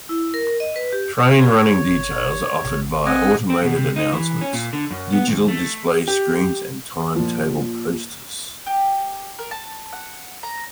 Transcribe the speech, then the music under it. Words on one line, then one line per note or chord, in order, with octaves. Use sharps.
Train running details are offered via automated announcements, digital display screens and timetable posters.
E4
A#4
D#5
B4
G4
C#5
G1
A1
C4 D#5 F#5 G#5
C4
B2
C3
D#4
E3
C#4
A#2
D3
F#2
B3
D#2
A3
G4
A#2 F3
G4
A#4
A5
F#5
A#5